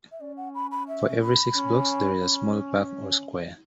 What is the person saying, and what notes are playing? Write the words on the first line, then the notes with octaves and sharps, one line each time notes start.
For every six blocks, there is a small park or square.
E5
C#4 D5
F#5
B5
B5
E5
B5
C#4
C#4